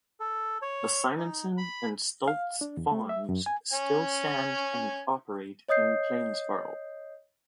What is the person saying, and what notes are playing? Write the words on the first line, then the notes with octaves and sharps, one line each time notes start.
The Simonson and Stults Farms still stand and operate in Plainsboro.
A4
C#5
D#4
B5
F5
D4
E2
A3
E5
F#2
G#5
C#4 G#5
C#5 D#5 D#6 G6 C7